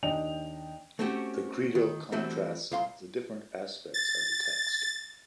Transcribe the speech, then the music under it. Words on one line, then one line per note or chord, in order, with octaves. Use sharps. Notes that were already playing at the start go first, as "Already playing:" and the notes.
The Credo contrasts the different aspects of the text.
D#2 D4 D#5 G5 F7
A3 C4 C#4 F#4 G4
D#3
E3 F#3 G3 A3 C4
C2 F5 C6
A6